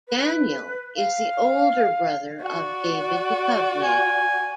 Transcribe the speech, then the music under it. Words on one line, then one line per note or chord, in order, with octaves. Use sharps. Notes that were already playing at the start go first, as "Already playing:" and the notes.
Daniel is the older brother of David Duchovny.
B4
F5
F#4 D5
G#5